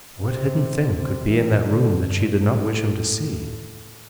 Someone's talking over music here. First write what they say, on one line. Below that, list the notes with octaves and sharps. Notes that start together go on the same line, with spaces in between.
What hidden thing could be in that room that she did not wish him to see?
C3
C3
E3
D3
G2
A2